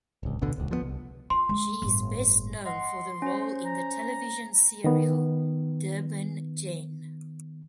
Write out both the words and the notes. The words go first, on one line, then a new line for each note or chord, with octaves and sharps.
She is best known for the role in the television serial "Durban Gen".
D1 C#2
A1 D2 B2 D3
D#1 C#2
D2 F3 G#3 B3
C2
F4 C6
G#3
G1 A2
D#5 F#5 C6
C#4 C5
A#5
D#3 B3